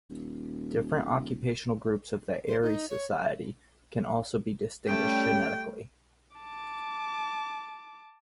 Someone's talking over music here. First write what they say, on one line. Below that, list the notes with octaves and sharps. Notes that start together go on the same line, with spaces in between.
Different occupational groups of the Aari society can also be distinguished genetically.
D#1
C5
D#4
C#5
G3 A3 C#4 G4 G5
A5 D6